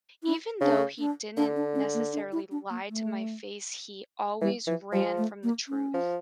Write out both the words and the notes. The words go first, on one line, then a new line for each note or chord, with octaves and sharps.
even though he didn't necessarily lie to my face, he always ran from the truth,
E4
C#3 D4
D4
D3 D4
D4
C#4
A#3
D4
E4
D4
A#3
A3
E3 G3
E3 F3
F3 G3
A3
A#3
C#4
F3